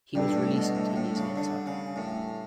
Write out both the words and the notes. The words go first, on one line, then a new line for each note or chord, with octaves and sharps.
He was released ten years later.
G2 G3 D4 A4
A2
B2
A2
A2
C#3
D3
C#3
A2